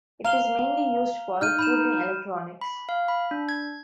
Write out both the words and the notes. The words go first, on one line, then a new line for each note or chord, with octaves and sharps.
It is mainly used for cooling electronics.
F5 A#5 F7 G7
D#4 F6 G6 D#7
B5 G6 E7
B5
F5
B5
D4
G#6